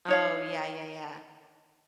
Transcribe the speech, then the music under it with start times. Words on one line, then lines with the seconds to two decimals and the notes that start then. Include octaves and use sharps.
Oh yeah, yeah, yeah.
0.08 D#4 C#5 F5